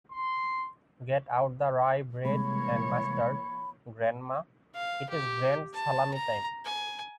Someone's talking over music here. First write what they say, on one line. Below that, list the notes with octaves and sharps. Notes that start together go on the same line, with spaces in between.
Get out the rye bread and mustard, Grandma, it is grand salami time!
C6
C3 E3 G3 G#3 A#3 C#5 B5
F5
G4
A5
A#5
G#5